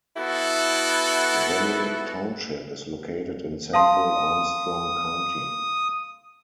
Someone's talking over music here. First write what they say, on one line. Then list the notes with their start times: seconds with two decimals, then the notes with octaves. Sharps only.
Valley Township is located in central Armstrong County.
0.16 B3 E4 F#4 A4
3.73 F5 A5 C6 D#6